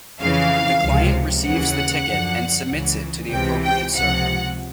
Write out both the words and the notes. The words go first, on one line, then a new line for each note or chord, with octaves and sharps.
The client receives the ticket and submits it to the appropriate server.
F2 C#3 E3 F5
C#2 C3 F3
D#2 C#3 E3 F#5
F#2 D3 F3
C#2 C#3 E3
C#2 C3 E3 G5
G5
C#2 C3 F3 F#5